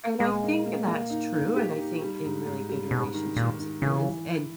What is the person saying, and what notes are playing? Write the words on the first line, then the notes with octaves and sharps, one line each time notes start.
And I think that's true, and I think in really good relationships it is, and
A#2 G#3
A#3
A#3
A#3
D#4
D#4
G4
D#4
G3
G#2
G#2
G3
G#2 B2
D#3
A#2 D#3
D#3
C#3 E3